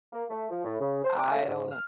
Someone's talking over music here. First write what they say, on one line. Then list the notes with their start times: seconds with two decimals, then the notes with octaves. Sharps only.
I don't know.
0.13 A#3
0.30 A3
0.50 F3
0.64 A2
0.80 C#3
1.04 C5
1.18 D6
1.31 A3
1.47 G#2
1.71 F6